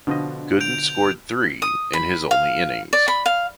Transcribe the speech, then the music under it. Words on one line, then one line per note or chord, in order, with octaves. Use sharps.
Gooden scored three in his only innings.
B2 D3 F3 D#5
G6 D7 F7
D#6
B5
F5
D5
B5
F5